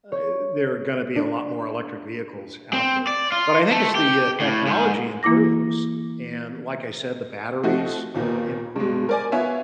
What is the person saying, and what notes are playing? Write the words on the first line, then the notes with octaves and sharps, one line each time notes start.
uh, there are gonna be a lot more electric vehicles out there. But I think as the, uh, technology improves, and like I said, the batteries, uh, improve,
C#5
D4
C4
D5
F4
A3
G4
A2
G#2
E3 A#3 E4 D6 A#6
F3 A3 C4 D#4 F#4
D#2 A#2 A#3
G2 G#3
A#4 D5 G#5
B3 F4 C#5 E5 G#5